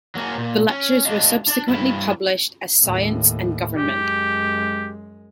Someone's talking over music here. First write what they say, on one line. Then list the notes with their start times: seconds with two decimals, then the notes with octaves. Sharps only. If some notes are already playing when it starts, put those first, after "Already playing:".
The lectures were subsequently published as Science and Government.
0.15 F#3 A#3 F#4 G#4
0.38 A#2
0.69 C#4
1.05 A3 D4 F#4 G4 D#5 F5
1.48 D4 D5
1.68 G2 E4
2.82 D#2 A2
3.77 F#2 G#3 G4